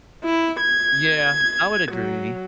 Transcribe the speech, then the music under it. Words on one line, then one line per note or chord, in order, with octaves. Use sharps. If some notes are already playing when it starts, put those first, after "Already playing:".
Yeah, I would agree.
E4
G#6
F#3